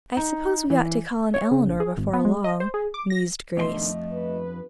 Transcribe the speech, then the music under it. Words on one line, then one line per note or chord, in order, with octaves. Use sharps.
"I suppose we ought to call on Eleanor before long," mused Grace.
D#4
E3
C#5
C#3
A#1
G#4
G#1
B3
G#3
D#5
C5
G#4
D6
A#6
F2 B2 D#3 A3 D4 G4 D#5 C6
G1 B4